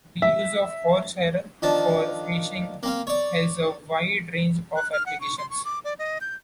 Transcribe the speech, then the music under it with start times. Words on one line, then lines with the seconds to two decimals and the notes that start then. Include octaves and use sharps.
The use of horsehair for fishing has a wide range of applications.
0.22 E5
1.62 D#3 F3 D4 A5
2.83 A#3 C4 F5
3.07 C#5 D5
4.76 F#6
4.93 F6
5.06 F#5
5.21 C#6
5.38 C6
5.50 C#6
5.65 D6
5.85 D5
5.99 D#5
6.21 G6